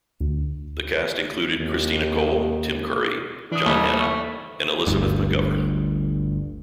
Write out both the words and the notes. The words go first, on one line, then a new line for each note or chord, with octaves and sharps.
The cast included Christina Cole, Tim Curry, John Hannah and Elizabeth McGovern.
D2
D#2
E3 D4 D#6
D#2 G3 A3
C#6
G1 D2 G2